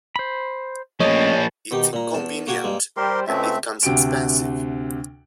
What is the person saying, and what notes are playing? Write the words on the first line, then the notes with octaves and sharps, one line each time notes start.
It's inconvenient — and it comes expensive.
C5 B5
F3 A3 A#3 C#4 C#5 D#5
B2 D#3 D#4 G4
A#2 A#5
E2 A5
A#3 F#4 G5 G#5
G2 G#3 A#3
G3 G4 A#4 C5 C6
C#2 A3 C4 E5
D2 C3 F#4 G5 D7